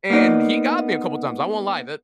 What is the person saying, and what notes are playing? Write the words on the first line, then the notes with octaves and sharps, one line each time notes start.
and he got me a couple of times, I won't lie. The
A#3 B3 D#4 D5